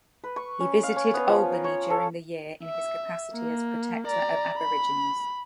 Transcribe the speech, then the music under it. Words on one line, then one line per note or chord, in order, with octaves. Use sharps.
He visited Albany during the year in his capacity as Protector of Aborigines.
B4
C#6
C#4
F5
C#4
B3
F3
A#4
C#5
A4
E5
A#3
D5 A#5
B5